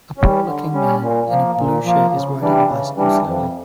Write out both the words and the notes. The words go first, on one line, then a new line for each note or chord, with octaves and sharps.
A poor looking man in a blue shirt is riding a bicycle slowly.
G3 C#4
D3
G3 C#4
A#2
F3 A#3
A#2
F3 A#3
C#3
E3 G3 D4
C#3
E3 G3 D4
F2